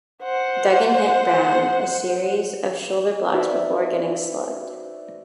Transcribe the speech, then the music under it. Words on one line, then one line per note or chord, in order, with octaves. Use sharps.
Duggan hit Brown a series of shoulder blocks before getting slugged.
C5 F#5
D#4 F#4 B4 C5 D5 E5